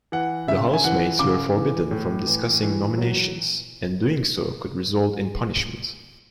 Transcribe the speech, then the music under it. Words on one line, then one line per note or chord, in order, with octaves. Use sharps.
The housemates were forbidden from discussing nominations, and doing so could result in punishment.
E3 F#5
C#3 E5
G#5
E3 F#5
C#3 D6
E3
A2
E3
E3
F#3